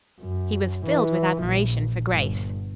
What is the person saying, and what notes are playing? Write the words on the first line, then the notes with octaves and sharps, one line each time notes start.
He was filled with admiration for Grace.
F#2
E3
A#1
G1